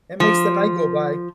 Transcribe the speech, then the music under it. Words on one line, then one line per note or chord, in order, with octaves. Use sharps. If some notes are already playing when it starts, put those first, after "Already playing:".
It makes the night go by.
F3